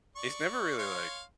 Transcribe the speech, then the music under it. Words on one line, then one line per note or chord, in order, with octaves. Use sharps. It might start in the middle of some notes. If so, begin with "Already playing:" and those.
He's never really like
D5 C#6
C#5 F5 C6